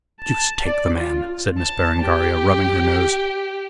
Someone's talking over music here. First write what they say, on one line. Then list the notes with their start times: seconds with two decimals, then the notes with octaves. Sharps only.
"Deuce take the man," said Miss Berengaria, rubbing her nose.
0.20 A5
0.64 D5
0.97 F4
1.58 A5
2.02 G4